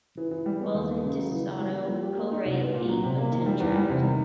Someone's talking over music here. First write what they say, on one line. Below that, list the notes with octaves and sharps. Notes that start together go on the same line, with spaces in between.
Wells and De Soto co-wrote eight of ten tracks.
E3
E3
G3
B3
D#2
B3
C#3
F#3
E3
E3
G3
A#3
F3
G4
A#3
D#4
C2
B3
A#2
F#3
C3
A#3
D#3
G3
E2
G3
C3
D#3